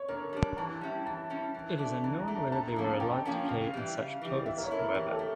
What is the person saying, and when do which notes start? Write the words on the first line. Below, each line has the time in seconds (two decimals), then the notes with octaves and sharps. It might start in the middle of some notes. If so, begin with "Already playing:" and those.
It is unknown whether they were allowed to play in such clothes however.
Already playing: C#5
0.08 D3 A#4
0.33 G3 D4
0.57 E3 A5
0.81 G3 C#4 E4
1.06 E3 A5
1.30 G3 C#4 E4
1.54 E3
1.78 A3 D4
2.04 E3 A5
2.20 A#5
2.28 A3 D4
2.36 A#5
2.52 D3 A5
2.68 A#5
2.76 F3 A#3 C#4
2.84 A5
3.00 D3 G5
3.25 F3 A#3 C#4
3.49 C#3 F5
3.74 E3 G3
3.97 C#3
4.22 E3 G3
4.46 E3 E5
4.58 A#4
4.63 C#5
4.71 A3 E4
4.79 A#4
4.94 E3 G4
5.12 A4
5.19 A3